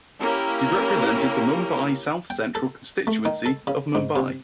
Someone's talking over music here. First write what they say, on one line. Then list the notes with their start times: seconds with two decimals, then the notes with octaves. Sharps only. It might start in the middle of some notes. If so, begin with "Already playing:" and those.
He represented the Mumbai South Central constituency of Mumbai.
0.19 A#3 C#4 E4 G4 A#4
2.30 G5
2.55 A4
3.07 A3
3.25 D#3
3.46 A4
3.67 C#3
3.95 G#2
4.16 C3